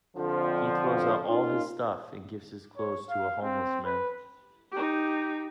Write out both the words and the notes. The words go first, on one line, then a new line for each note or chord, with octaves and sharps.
He throws out all his stuff and gives his clothes to a homeless man.
F2 D3 F3
A#3 C#4 D#4 F4
C#5
F5
C4
B4
D#4 G4